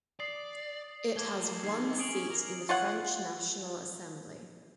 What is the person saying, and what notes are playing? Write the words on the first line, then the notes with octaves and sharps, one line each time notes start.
It has one seat in the French National Assembly.
D5 D#6 C7 F#7
A3 A#4 D6 G#6 G7
A#3 D#4 C7
C#4 D#6 D7 F#7
A#4
F4 C#5 F#5